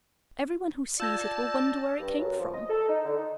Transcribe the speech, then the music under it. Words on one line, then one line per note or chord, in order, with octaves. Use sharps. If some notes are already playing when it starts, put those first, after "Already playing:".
"Every one who sees it will wonder where it came from."
F4 D5 A5 E6 G6 G#6 A#6
G2
F#2
F3
D#5
A4
D#4
D3
D#4